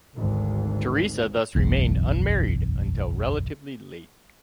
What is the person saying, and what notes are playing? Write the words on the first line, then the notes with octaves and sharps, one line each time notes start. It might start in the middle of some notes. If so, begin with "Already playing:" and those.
Theresa thus remained unmarried until relatively late.
G#1 D2
F#1 B1 E2